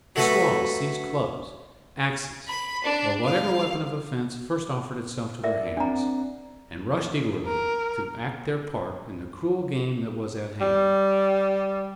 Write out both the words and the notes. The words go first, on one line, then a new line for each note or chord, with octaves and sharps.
The squaws seized clubs, axes, or whatever weapon of offense first offered itself to their hands, and rushed eagerly to act their part in the cruel game that was at hand.
F#3 A3 F#4 A4 B4
B5
D4
F5
A#4 D5 E5
C4 D4 D5 F#5 A#5
A#4
G3